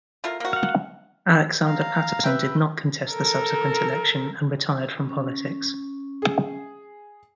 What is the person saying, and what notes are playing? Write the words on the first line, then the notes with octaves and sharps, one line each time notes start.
Alexander Paterson did not contest the subsequent election, and retired from politics.
A3 F4 A#4
A#3 F#4
F5 F#5
F5 A#5
B4 E5 G5
A4 A#4
C#4
G#4